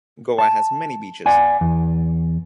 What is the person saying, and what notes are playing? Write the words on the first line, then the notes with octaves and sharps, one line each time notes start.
Goa has many beaches.
A5
D5 F#5 G#5
E2